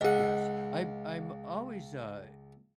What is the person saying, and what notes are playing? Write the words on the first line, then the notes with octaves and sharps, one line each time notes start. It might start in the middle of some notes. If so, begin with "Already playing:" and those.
Yes. I'm I'm always, uh,
C#2 G#4 D#5 F#5